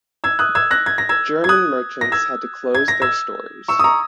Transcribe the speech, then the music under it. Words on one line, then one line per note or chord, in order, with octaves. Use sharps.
German merchants had to close their stores.
E6 G#6
D#6 F#6
E6 G#6
F#6 A#6
G#6
A#6
E6 G#6
G#6
D#6 F#6
A#6
E6 G#6
G#6
A#6
E6 G#6
C#6 E6
D#6
A#5 C#6